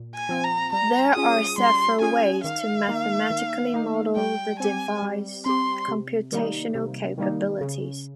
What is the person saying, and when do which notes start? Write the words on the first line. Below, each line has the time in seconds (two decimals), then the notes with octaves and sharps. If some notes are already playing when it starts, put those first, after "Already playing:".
There are several ways to mathematically model the device's computational capabilities.
Already playing: A#2
0.15 G#5
0.29 F3 C4
0.44 A#5
0.73 G3 A#5
1.15 C#4 F4 G#4 D#6
1.58 G3 C6
2.01 C#4 F4 G#4 G#5
2.44 D#3 F5
2.88 A#3 D#4
3.30 D#3
3.74 A#3 D#4
4.17 G3 G5
4.59 C4 G4 G#5
5.02 G3
5.46 C4 G4 C6
5.88 C3
6.32 D#3 G3 A#3 D#4
6.75 C3
7.18 D#3 G3 A#3 D#4
7.61 C#3